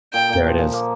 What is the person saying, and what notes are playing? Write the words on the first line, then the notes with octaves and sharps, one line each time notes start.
There it is.
A#2 G5
A#2
F3
A#2
A#3